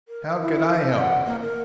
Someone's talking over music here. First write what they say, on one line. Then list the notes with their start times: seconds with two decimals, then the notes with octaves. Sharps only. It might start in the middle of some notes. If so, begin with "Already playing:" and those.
How could I help it?
0.08 A#4
0.41 E4
0.78 C5
0.97 F#5
1.26 A#3
1.42 A#4